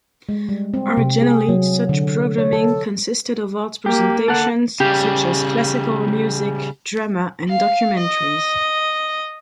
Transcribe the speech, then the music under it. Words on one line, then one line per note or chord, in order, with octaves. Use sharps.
Originally, such programming consisted of arts presentations such as classical music, drama, and documentaries.
G#3
G3
C4
C3
G#4
F#3
D3
C#5
A4
A#3 G4
A4 F#5
C#3 G3 G4
F5
D#5